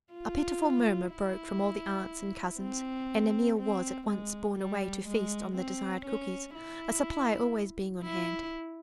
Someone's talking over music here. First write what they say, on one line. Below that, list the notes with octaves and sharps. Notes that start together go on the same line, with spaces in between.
A pitiful murmur broke from all the aunts and cousins, and Emil was at once borne away to feast on the desired cookies, a supply always being on hand.
F4
E4
C4
C4
G#3
G3
G#3
C4
C#4
E4
E4